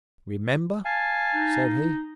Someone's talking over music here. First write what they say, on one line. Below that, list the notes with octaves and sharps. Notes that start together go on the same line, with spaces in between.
"Remember!" said he.
F5 G#5 A5
D#4